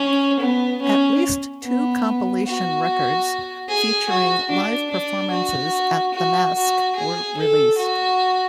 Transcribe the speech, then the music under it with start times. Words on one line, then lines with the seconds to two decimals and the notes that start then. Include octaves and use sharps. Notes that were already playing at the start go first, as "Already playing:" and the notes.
At least two compilation records featuring live performances at the Masque were released.
Already playing: C#4
0.40 B3
0.82 C#4
1.63 B3
2.46 F#4
3.68 G#4
4.09 F#4
4.50 D4
4.91 D4
5.31 F#4
6.14 F#4
6.55 F#4
6.95 G#4
7.37 A4
7.77 F#4